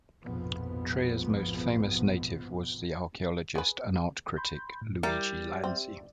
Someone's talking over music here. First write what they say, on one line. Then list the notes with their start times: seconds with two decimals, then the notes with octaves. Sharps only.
Treia's most famous native was the archaeologist and art critic Luigi Lanzi.
0.23 A#1 F2 G#2 B2 F3 B3
3.55 G#4 B4
4.37 B5 C6 G6
4.81 A2
5.03 G3 E4 A#4 D5
5.64 C4 G4 C5 E5